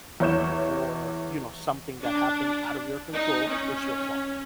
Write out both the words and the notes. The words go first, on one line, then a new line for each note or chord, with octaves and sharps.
or, you know, something that happened out of your control, is your fault.
E2 E4 C#5 G6 E7
D4
D#4
C#4